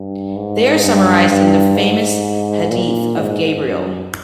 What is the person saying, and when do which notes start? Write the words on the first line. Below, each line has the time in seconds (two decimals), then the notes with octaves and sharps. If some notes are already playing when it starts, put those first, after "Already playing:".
They are summarized in the famous hadith of Gabriel.
Already playing: G2
0.36 G#2
0.83 G2
1.30 G2
1.76 G#2
2.70 A#2
3.17 G#2
3.63 F#2